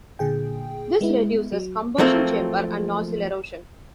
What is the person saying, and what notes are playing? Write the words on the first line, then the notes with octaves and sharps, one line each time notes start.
This reduces combustion chamber and nozzle erosion.
A#2 D3 G#4 G5
G#3 B3 E4
F#3
F3 F#3 A3 A#3 C4